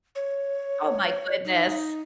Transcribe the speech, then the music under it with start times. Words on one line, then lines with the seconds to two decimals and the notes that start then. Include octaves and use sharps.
Oh my goodness.
0.15 C#5
1.45 D#4